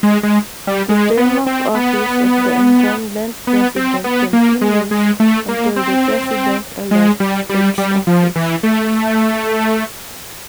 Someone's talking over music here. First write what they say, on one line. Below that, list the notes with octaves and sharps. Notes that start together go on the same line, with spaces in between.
The term of office of the incumbent president continues until the President-elect takes office.
G#3
G#3
G3
G#3
B3
C4
B3
B3
C4
B3
A#3
G#3
G#3
A3
A#3
C4
G#3
G3
G3
G3
F3
E3
A3